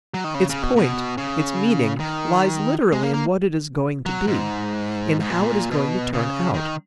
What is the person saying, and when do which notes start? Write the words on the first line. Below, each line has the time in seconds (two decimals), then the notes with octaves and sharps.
Its point, its meaning lies literally in what it is going to be, in how it is going to turn out.
0.14 F#3
0.24 D#3
0.35 C#3
0.49 C#3
0.63 B2
0.76 B2
1.17 C#3
2.00 D#3
2.92 G#3
3.03 A#3
3.14 A#3
4.06 F#3
4.27 G#2
5.20 G#2
5.30 A#2
5.71 B2
6.13 C#3
6.54 D#3